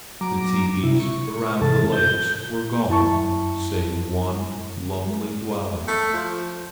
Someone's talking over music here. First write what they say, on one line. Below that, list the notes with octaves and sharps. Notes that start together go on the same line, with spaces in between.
The teepees around the lakes were gone, save one lonely dwelling.
F#3 A#5 D6
C3 E4
C#6
G#2 C3 E3 A4 A5
G6
F#2 E4 A5 C#6
A3
F3